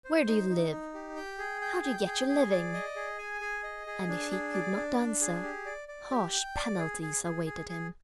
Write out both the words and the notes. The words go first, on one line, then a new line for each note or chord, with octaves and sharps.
"Where do you live? How do you get your living?" And if he could not answer, harsh penalties awaited him.
C5
D#4
D#4
D#4
G4
G5
G#4
G5
G5
G#4
G#4
D5
D#5
G#4
G#5
G#4
D#5
G#4
D4
G#4
D5
D4
D4
G#4
G4
D5
D5
G4
G5
D5
G#4
G#4
G#4
G#4
G#4